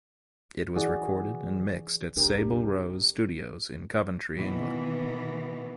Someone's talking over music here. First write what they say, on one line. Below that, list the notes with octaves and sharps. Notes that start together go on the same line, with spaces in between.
It was recorded and mixed at Sable Rose Studios in Coventry, England.
E3 F#4 G#4 D5
F1 B1 D4 G4 A#4
B2 D#3 E3 A#3 B3